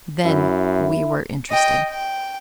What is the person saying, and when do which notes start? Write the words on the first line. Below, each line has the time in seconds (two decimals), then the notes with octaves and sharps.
Then we were interested.
0.25 F#2 E4
1.50 D#5 G5
1.90 G5